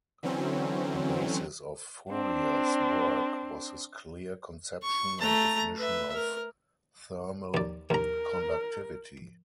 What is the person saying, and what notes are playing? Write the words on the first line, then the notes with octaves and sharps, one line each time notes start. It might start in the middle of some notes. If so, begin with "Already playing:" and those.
The basis of Fourier's work was his clear conception and definition of thermal conductivity.
D3 E3 F#3 C4 C#4
C4 D4
C#6
A3 A#5
B4 E5
A#4
D#2 D5
D#2 A#4 A#5